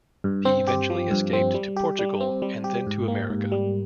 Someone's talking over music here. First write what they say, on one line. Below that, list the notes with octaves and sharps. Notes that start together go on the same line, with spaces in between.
He eventually escaped to Portugal and then to America.
G2
C4
G4
F3
G2
C4
G3
G4
G3
C4
G3
G4
G#2
A#3
G#2
G3